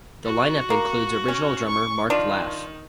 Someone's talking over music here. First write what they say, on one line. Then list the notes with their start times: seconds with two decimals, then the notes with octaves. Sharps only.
The line-up includes original drummer Mark Laff.
0.24 F#4
0.70 A#3
1.28 C#4
1.67 C#6
2.10 D#3 D4 F4